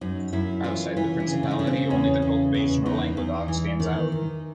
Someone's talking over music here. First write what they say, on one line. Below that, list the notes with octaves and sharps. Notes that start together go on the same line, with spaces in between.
Outside the Principality, only the cultivation in Languedoc stands out.
F#2 D#4
F#2 E4
E3 F4
E3 E4
D4
C#3
D4
D#4
C#3 D4
C4
E2 C#4
C#3
E2
E2 D#4
E2
E3
D#3
D#3